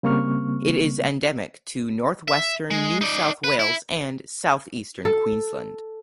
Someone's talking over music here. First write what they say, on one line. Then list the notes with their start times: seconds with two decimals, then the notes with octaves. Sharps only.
It is endemic to north western New South Wales and south eastern Queensland.
0.03 C#3 G3 A#3 C4 C#6 F6
2.28 E5
2.71 G#3
3.01 D#4 D5
3.44 B4
3.59 E4
5.05 A4